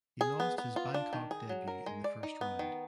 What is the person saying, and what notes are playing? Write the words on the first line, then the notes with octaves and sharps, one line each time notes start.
He lost his Bangkok debut in the first round.
G#4
B3
B3
F4
D4
D#3
G#4
F#3
A#4
G#3
D5
D#4
B3
D#3